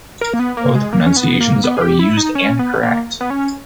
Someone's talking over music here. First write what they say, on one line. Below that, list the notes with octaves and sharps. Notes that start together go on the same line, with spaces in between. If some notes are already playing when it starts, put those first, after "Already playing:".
Both pronunciations are used and correct.
A#4
A#3
B3
A#3
G#3
A#3
C#4
B3
A#3
B3
G#4
G4
E4
D#4
C#4
B3
A#3
B3
C#4